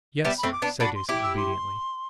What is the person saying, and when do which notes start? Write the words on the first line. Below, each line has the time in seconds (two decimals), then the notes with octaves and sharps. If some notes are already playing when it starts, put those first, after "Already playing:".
"Yes, sir," said Jason obediently.
0.24 G3 B3 E5
0.38 B5
0.43 A3 C4
0.52 D6
0.62 B3 D4
0.80 D4 F#4 B5
0.95 C6
1.08 E4 G4 D6
1.23 E6
1.37 C6